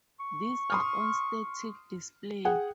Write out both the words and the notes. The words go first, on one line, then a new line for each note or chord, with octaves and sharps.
These are on static display.
C#6
C6 D#6 F6
G#4 F#5 G5